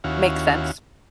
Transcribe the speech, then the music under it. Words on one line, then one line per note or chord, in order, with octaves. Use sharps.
makes sense.
D#2 C#4 E4 F#4 F5